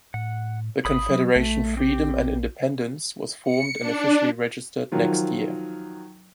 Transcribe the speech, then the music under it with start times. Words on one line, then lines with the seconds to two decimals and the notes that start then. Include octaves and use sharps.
The Confederation Freedom and Independence was formed and officially registered next year.
0.14 A2 F#5
0.85 G#1 B5 D#6
1.10 F#3
1.36 A#1 A3
1.77 C4 G4
3.44 C#7
3.80 D4
4.92 D#3 F3 F#3 F4